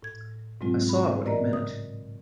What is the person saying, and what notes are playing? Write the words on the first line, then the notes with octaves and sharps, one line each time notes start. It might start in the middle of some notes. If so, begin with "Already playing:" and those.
I saw what he meant.
A2 G#6
G#2 B2 F#3 G#3 C4 F4
B5
A2
A#4 D5 D#5 A#5
C#3 D#6